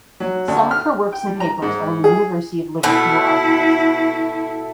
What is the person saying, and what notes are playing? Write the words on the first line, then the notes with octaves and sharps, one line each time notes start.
Some of her works and papers are in the University of Liverpool archives.
F#3
D2
F6
G5
G3
A#5
G#2
G#4
B2 A3 E4